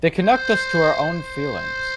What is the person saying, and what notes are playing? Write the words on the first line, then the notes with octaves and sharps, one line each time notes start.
They connect us to our own feelings.
C5
C5